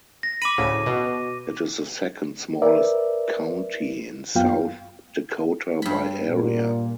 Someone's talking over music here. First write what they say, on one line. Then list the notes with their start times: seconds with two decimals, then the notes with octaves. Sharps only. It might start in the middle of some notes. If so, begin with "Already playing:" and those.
It is the second-smallest county in South Dakota by area.
0.23 A#6
0.42 B5 D6 D#7
0.58 D2 A2 C#3
0.86 B2
2.62 A#4 B4 D5 E5
4.35 F#2 B3 F4 F5 G5
5.82 G2 B5
6.29 A#2